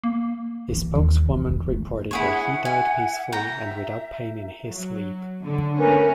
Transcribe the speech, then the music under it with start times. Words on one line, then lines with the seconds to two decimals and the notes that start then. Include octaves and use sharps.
His spokeswoman reported that he died "peacefully and without pain in his sleep".
0.04 A#3
0.69 G2 E3
0.95 D#2
1.25 E3 A#3
1.44 E2 G2
1.66 D#3 A3
2.11 E4 G#4 C#5 E5 F#5
2.65 G#5
3.32 E5 G5 A#5
4.67 F#3
5.44 D3
5.78 A3 C#4 A#4 B4 G#5